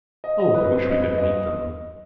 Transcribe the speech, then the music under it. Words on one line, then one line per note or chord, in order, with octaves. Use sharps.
"Oh, I wish we could meet them."
D#5
D#5
B4
C4
D#5
B4
D#5
D#5